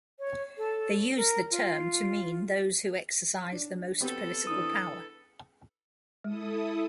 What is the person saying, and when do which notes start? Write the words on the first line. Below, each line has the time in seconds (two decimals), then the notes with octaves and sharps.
They use the term to mean those who exercise the most political power.
0.19 C#5
0.58 A4
1.17 A#4
1.51 F4
3.52 D4
4.01 B3 C4 G4 A4 B4
4.47 E3 D4 D#6
6.24 G#3 E4 A4 D#6